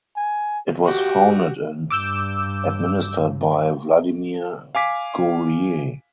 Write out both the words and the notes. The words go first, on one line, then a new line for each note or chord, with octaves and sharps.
It was founded and administered by Vladimir Guerrier.
G#5
F#4 G4
G2 D6 E6 G6
F5 G#5 D6 B6